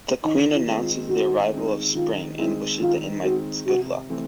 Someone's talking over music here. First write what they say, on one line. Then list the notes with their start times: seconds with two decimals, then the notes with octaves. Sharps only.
The Queen announces the arrival of spring and wishes the inmates good luck.
0.25 D#3 D#4
0.53 E4
0.67 G#3 C4 D#4
0.81 F4
1.09 D#3 F#4
1.52 G#3 C4 D#4
1.95 D#3 F4
2.38 G#3 C4 D#4 E4
2.81 D#3 F4
3.24 G#3 C4 D#4 F#4
3.66 C3 F#4
4.09 E3 A3 C4